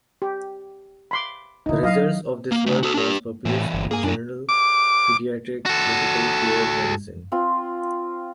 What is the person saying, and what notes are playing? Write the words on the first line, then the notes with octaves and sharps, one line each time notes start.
The results of this work was published in the journal "Pediatric Critical Care Medicine".
G4
B5 C6 D6
D3 F3 D#4 E4
F#3 D#5 F5
A#3
C#3 A3
F#4 A4
D4 G4
A2 E3 C4
G1
A#3 G#4 G#5
F#2 A#2 D4
D6
F#4 A4
C4 F4 C6